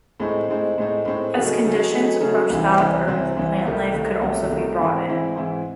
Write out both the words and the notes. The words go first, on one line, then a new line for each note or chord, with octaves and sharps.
As conditions approach that of Earth, plant life could also be brought in.
A2 G#3 C4 D#4
A2 G#3 C4 D#4
A2 G#3 C4 D#4
A2 G#3 C4 D#4
C#3 F#3 A3 D#4 G#4
C#3 F#3 A3 D#4 G#4
C#3 F#3 A3 D#4 G#4
C#3 F#3 A3 D#4 G#4
C2 C3 E3 C4
C2 C3 E3 C4
C2 C3 E3 C4
C2 C3 E3 C4
C2 C3 D#3 A3
C2 C3 D#3 A3
C2 C3 D#3 A3
C2 C3 D#3 A3
G#2 E3 C4 E4
G#2 E3 C4 E4
G#2 E3 C4 E4